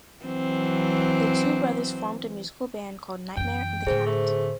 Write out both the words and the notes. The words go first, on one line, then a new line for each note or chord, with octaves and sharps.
The two brothers formed a musical band called Nightmare and The Cat.
E3 F#3 C4
F#2 E3 G5
A2 D3 G#4 C5
A3